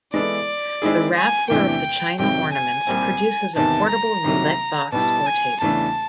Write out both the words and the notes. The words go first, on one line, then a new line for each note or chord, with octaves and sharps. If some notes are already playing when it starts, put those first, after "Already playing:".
The raffler of the China ornaments produces a portable roulette box or table.
E3 G#3 B3 E4 A4 D5
D#3 G#3 C4 E4 G#4
G#5
E2 C3 E3 A3 D4 G5
F2 C3 D#3 F#3 G5
G#5
C2 A#2 G3 C4
E2 C3 D#3 A5
A#5
C2 C3 D#3 F#3 A#3
B2 G3 B3 E4 G4 A5
G#5
E2 C#3 E3 A3 D4 A5